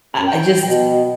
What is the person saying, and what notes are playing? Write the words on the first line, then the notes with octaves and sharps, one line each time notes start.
I I just
F#2
G5
B2